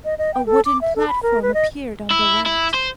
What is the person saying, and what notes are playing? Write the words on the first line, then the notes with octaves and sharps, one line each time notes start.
A wooden platform appeared on the right.
D#5
D#5
G5
A4
D6
E5
A4
B5
A#4
B4
D#5
E4
E4
C5